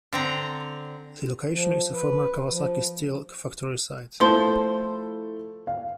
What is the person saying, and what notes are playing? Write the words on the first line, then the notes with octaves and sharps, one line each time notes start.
The location is a former Kawasaki Steel factory site.
D3 C4 A#5
F3
B4
F3
F3 A3 E4 A4 C5
F5